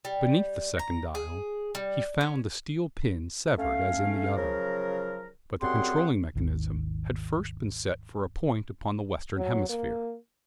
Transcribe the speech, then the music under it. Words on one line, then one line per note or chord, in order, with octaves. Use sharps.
Beneath the second dial he found the steel pin severed as in the other, but the controlling mechanism had first been set for a point upon the western hemisphere.
G3
A#5
G#4
G3
C#4
A3 C#4 F5
C#3 F3 F#3 A#4
F#2 G3 C4 G#4 F#5 C6
G#1 D#2 D#3
F#3
A#3